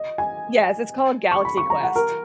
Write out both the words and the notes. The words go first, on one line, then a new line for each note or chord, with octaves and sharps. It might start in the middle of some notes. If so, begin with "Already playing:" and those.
Yes, it's called Galaxy Quest.
Already playing: D#5
G#5
C#6
B5
C#6
A#5
F#5
A#4